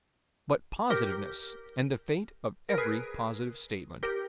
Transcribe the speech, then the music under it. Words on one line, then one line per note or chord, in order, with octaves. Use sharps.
But positiveness and the fate of every positive statement.
G4 A#4
A#4
G#4 B4
G4 A#4